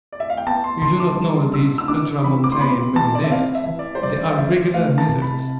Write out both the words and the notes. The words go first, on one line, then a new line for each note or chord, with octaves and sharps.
You do not know these ultramontane millionaires; they are regular misers.
D5
E5
F5
G5
B3 A5
C6
D3 C6
D6
G3
D4 E6
E6
D4 D6
E3 B5
D6
C6
B3 B5
E3 A5
D5
E5
C4 F5
E5
E3
D5
C5
G3 D5
F5
E3 E5
A3 F5
A5
C3
B5